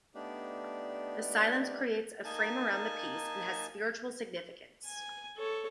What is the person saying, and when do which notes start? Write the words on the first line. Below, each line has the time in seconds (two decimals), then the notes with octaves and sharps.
This silence creates a frame around the piece and has spiritual significance.
0.15 A3 B3 D4 D#4 G4 D5
2.25 A#3 D#4 G#5 A5
4.86 G#5
5.36 A4 C#5